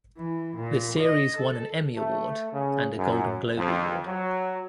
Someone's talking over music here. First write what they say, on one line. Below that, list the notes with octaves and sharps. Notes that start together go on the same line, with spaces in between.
The series won an Emmy Award and a Golden Globe Award.
E3
A#2
D#5
A4
A3
C#3
F#2
F2
F#3